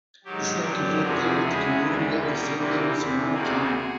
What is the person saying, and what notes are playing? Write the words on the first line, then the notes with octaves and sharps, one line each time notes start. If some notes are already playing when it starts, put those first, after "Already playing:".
This name conflicted with the community of the same name in Sonoma County.
G#2 D#3 F#3 G4
F#2 D3 F#3 G4
E2 C3 F3 F#4 G#4
E2 C#3 E3 G#3
D2 C#3 E3 G#3
B2 G3 A#3
E2 C3 E3 G3 A#3
E2 C3 E3
D2 C3 D#3 G3 A#3 F#4 G#4